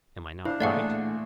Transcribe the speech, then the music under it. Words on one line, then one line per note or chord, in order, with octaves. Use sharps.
Am I not right?
D4 E4 C5 F5
A1 A#2 A3 G#4 D5 F5 F#5 C#6